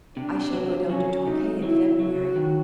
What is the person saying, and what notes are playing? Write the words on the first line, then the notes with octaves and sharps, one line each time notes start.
I shall go down to Torquay in February.
C3 D4
F#3
F#3 C#4
C3 D#4
F#3 E4
F#3 F#4
D#3